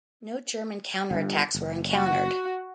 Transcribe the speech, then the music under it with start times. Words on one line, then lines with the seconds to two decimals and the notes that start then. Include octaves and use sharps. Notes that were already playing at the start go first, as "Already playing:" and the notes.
No German counter-attacks were encountered.
1.11 G1 G2
1.55 F#1
1.93 F#4